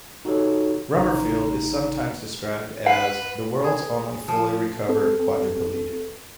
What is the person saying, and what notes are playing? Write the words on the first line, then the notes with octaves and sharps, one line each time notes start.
Rummerfield is sometimes described as "the world's only fully recovered quadriplegic".
D#4 F#4 G4 A4 C#5
A1 C#3 D#4 A#5
B4 F#5
G#4
F3
C4 A4 B4